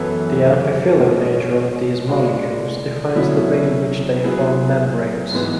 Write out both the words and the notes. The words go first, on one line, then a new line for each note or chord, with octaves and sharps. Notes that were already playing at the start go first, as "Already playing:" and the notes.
The amphiphilic nature of these molecules defines the way in which they form membranes.
Already playing: F#2 E3 B3 E4 A4
B2 G#3 C#4 F#4
G#3 D4 F#4
B2 F#3 C#4 E4
F#3 B3 E4 G#4
G#2 E3 G#3 B3